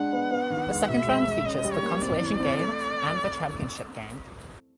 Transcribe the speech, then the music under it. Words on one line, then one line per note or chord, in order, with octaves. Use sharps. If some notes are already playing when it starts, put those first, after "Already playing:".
The second round features the consolation game and the championship game.
Already playing: G#3 D4 F#5
B3
B3
D#3
G#3
B2 E5
G#3
G#3
C#4 D#5
G3
C#5
A#3
C4 D5
E3
C4
A3